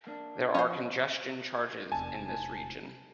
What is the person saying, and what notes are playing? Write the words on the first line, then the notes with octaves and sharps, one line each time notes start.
There are congestion charges in this region.
A#3 D4
F3 C#4 C5
F1 E2 G#5 A5